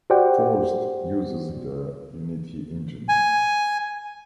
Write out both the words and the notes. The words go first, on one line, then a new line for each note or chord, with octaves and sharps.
"Forced" uses the Unity engine.
F#4 G4 C5 D5 F#5 G5
G#5